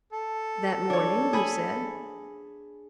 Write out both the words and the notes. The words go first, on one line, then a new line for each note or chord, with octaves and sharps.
That morning, he said.
A4
D4 C#5
G#4 B5 G#6